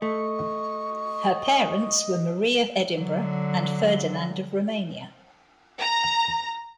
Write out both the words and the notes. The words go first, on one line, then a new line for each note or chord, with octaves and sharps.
Her parents were Marie of Edinburgh and Ferdinand of Romania.
A3 D#5 C#6
D3 F#3
A#5